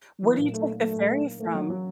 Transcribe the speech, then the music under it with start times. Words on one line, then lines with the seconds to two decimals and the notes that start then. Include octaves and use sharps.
Where do you take the ferry from?
0.23 E3 F#3
0.38 A#2
0.52 A3 D#4
0.67 A#3
0.81 F#3 A3
0.96 A#2
1.11 D#4
1.25 A#3
1.40 A3 A#3
1.55 F#3
1.70 F#3